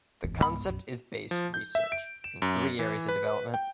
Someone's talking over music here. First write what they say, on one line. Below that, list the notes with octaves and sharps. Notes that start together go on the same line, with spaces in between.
The concept is based research in three areas of development.
D1 G#1 E2
C#2 G#2 B3 B5
B1 F#2
F3
G6
E5
D7
E7
F#2
E3
B4
G5